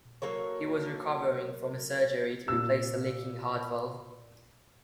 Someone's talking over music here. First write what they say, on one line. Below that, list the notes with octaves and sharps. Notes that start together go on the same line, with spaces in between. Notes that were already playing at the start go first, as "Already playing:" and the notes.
He was recovering from a surgery to replace a leaking heart valve.
F#3 A#3 A4 C#5
A#2 E6